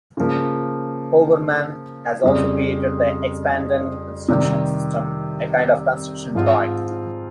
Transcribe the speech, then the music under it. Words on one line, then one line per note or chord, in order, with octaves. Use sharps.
Hoberman has also created the Expandagon Construction System, a kind of construction toy.
C#3 F3 A#3
F2 C#3 G3
C3 D#3 G3
G#2 F3 C4 F4